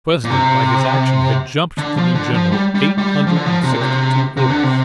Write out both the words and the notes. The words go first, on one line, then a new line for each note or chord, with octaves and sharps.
The President, by his action, had "jumped" the new General eight hundred and sixty-two orders.
A#2
C3
D3
F3
D3
F3
G3
G3
G3
F3
D3
F3
C3
A#2
C3
C3
D3
C3